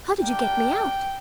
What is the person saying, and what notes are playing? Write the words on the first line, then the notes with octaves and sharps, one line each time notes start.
How did you get me out?
A#3 D4 G4 G5